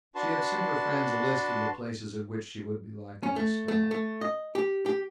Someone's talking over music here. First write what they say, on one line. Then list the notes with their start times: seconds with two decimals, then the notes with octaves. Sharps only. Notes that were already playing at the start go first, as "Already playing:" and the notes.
She had sent her friends a list of the places at which she would be likely to stop.
0.15 D4 F#4 B4 A5 C6
3.23 C#4
3.36 A3
3.68 A3
3.91 A3
4.21 D#5
4.55 G4
4.86 G4